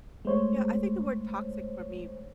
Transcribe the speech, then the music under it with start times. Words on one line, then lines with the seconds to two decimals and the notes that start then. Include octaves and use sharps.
Yeah, I think the word toxic for me
0.25 G#3 A3 C5 C#5